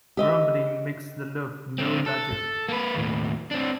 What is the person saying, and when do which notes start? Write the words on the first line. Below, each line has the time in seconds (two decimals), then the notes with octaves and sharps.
Grumbling makes the loaf no larger.
0.17 G4 D#5 E5
1.78 D3 C4
2.06 A4
2.69 A#3 B4
2.95 D#2 A2
3.51 C4 D4